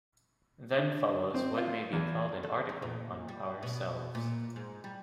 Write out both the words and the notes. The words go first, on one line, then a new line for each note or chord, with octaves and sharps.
Then follows what may be called an article on "Ourselves".
D4
C4
F4
E2
A4
G#2
A#2
G3
B2
A#2
G#2
G3